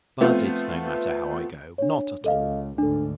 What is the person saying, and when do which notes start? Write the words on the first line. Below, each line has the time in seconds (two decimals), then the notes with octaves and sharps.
But it's no matter how I go,--not at all.
0.21 F3 A3 B3 C4 F4
1.78 D4 C#5
2.24 C#2 A4 D#5 F5
2.78 D2 G#2 D4 A4